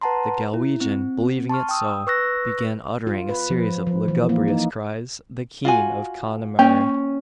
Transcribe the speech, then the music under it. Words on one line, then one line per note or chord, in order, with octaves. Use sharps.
The Galwegian, believing it so, began uttering a series of lugubrious cries--the "keen" of Connemara.
B4 F#5 A5 A#5 C6
E4
C4
A5 C6 C#6 F6
G5 D#6 E6
B4 C#6 E6 F#6 A#6
F4
B4
F3
F3
E3
A#3
D#4
F4 F#4 G#5
A#3 C#4 G5